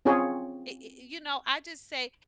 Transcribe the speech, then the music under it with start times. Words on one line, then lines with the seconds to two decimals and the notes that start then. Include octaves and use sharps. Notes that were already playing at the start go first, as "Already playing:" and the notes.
I i i you know, I just say,
0.05 C4 C#4 F4 G#4 C#5